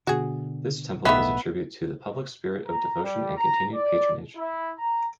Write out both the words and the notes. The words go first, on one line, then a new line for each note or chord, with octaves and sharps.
This temple is a tribute to the public spirit of devotion and continued patronage.
B2 D3 F#4 G#4
B1 A2 D#3 A3 B3 E5 F5
A#5
G3
A#5
D5
E4
A#5